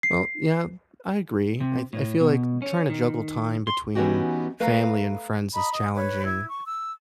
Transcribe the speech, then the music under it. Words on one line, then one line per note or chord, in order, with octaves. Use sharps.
Well, yeah, I agree. I I feel like trying to juggle time between family and friends is challenging,
C7
C3
A2
B2
C#4
D#3
C6
E3 B3 C#4 D#4 F#4 G4
A3 B4 F5 A#5
D#5 A#5 B5
D#5
B4 C#5
E4 G#6
C#6
E6